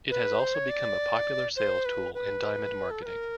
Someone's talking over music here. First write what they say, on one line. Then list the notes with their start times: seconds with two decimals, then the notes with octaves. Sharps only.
It has also become a popular sales tool in diamond marketing.
0.10 B4
0.40 C5
0.55 C#5
0.69 D5
1.56 C5
1.85 B4
2.14 B4
2.91 A4
3.02 B4
3.06 A#4